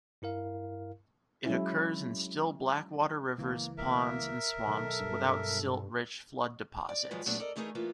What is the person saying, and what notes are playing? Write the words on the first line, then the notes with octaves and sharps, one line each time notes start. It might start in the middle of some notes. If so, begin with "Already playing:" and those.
It occurs in still blackwater rivers, ponds and swamps without silt-rich flood deposits.
G2 E4 A#4 F5
F#3 G#3 C#4 E4
C#2 E3 A#3
A#3 A#4 E5
B1 D#3 A4
G2
D5
G#2 D#3 F3 F#3 G#3 B4
A#2 F#3 A3 B3 D4 E4
A4 A#4 D5 D#5
E3 A3 D#4 G#4 A#4 B4
E3 A#3 B3 F4